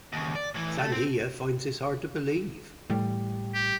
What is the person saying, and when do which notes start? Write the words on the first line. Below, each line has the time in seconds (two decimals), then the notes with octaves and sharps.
Sandhya finds this hard to believe.
0.13 D#2 C#3
0.35 D5
0.54 A2 E3
0.79 A3
0.92 C4
2.90 A2 G3
3.54 G4